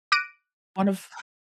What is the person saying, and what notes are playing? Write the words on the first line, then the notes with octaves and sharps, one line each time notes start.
One of
D6 F#6 A#6 D7 D#7